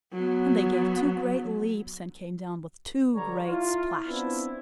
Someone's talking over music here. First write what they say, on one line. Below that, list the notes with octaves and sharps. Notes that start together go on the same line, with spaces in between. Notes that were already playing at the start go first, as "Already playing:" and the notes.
And they gave two great leaps and came down with two great splashes.
F#3 B3
G2 D3 G3 C#5 A#5
E4 F4
B3 C4 D4 E4